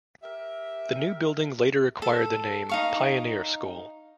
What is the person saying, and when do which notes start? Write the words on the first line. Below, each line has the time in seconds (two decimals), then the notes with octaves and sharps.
The new building later acquired the name "Pioneer" School.
0.23 G4 A#4 E5
2.02 A4
2.69 D#4 F5 C#6